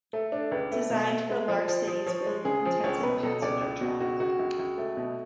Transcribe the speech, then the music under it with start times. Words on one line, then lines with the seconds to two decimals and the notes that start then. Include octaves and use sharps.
Designed for large cities with intensive passenger traffic.
0.13 A3 A4
0.32 D4
0.52 C#2 B4
0.71 A3
0.90 B2
1.10 A3
1.29 G#3
1.48 F3
1.68 F3
1.87 F3
2.06 F3 C#5
2.26 G#3
2.45 C#3 G#4
2.65 F3
2.84 C#2 C#5
3.03 B2 B4
3.23 B2 A4
3.42 C#2 D5
3.61 C#2
3.81 B2 F#4
4.00 C#2 F#4
4.20 C#2 F#4
4.39 C#2
4.59 C#2
4.78 A3
4.97 B2